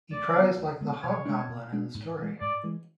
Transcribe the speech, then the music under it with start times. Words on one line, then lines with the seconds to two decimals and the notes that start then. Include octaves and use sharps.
He cries like the hobgoblin in the story.
0.11 D2 D5
0.34 D3 G#3 B3
0.57 D2
0.80 D3 G#3 B3
1.02 B2 C#5
1.25 G#3 D4
1.49 B2
1.72 G#3 D4
1.94 G#2
2.18 E3 G#3
2.41 G#2 D5
2.64 E3 G#3